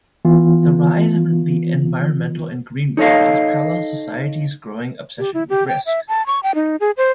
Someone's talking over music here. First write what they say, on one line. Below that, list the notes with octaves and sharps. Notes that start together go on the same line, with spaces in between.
The rise of the environmental and green movements parallels society's growing obsession with risk.
E3 B3 F4
D#4 A4 C#5 D#5 F5
G4
E4
G4
G5
E5
A5
C#6
G5
D#4
G#4
C5